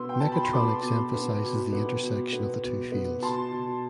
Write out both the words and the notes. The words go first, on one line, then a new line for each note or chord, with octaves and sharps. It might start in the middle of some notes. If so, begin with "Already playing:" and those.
Mechatronics emphasizes the intersection of the two fields.
Already playing: B2 B3 C6 E6
G5
B2 A5
B5
C6
B3 B5 D6
B2
B3
B2
B3
B2
B3
B2
B3
B2 A5 C6
B2